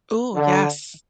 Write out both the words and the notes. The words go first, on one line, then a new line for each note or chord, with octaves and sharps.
Ooh, yes.
D3